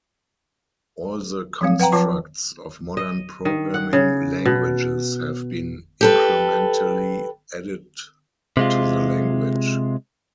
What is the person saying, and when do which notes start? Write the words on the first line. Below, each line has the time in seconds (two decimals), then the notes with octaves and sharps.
All the constructs of modern programming languages have been incrementally added to the language.
1.61 F3 F#3 C4 F5
1.80 B4 F#5 G5 A#5
1.92 F3 F4 B4 A5 D6
2.97 D#5
3.45 D#3
3.74 F#5
3.93 C#3
4.45 B2
6.01 G4 A4 B4
8.57 C3 G#3 F4